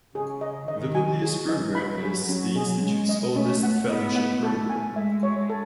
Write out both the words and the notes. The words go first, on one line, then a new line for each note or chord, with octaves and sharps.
The Publius program is the Institute's oldest fellowship program.
C#3 G#4
D#5
D#3 D#5
G#5
F#3 G#4
D#5
F#3 B5
G#4
C#4
G#4
G#3 C#4
D#5
A3 C#4
F#5
B3 D#5
F#5
A3 A4
G#5
G#3 E5
C#5
A4